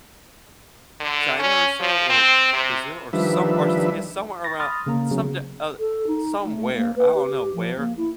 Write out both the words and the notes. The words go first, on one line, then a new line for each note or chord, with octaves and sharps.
China, or so? Or, Brazil? Or, some Argentina? Somewhere around somed uh, somewhere, I don't know where.
D3
C#4
F3
C4
C3
D#3 F3 G3 D4 B4 E5
C#6 A6 A#6
B5 C6 D#6 F6 A6
C#3 A#3 A#5
C#3 F#3 B3
A4
D#4
A3
A#3
B4
G4
F3
A#3
E4